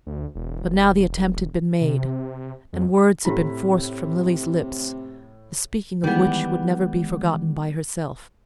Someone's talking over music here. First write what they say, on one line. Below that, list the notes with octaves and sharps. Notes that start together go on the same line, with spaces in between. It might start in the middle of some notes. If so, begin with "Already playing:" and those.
But now the attempt had been made, and words had been forced from Lily's lips, the speaking of which would never be forgotten by herself.
D2
E1
C3
F2
A2 C3 E4 G4 B5
D#3 E3 G3 G#3 B3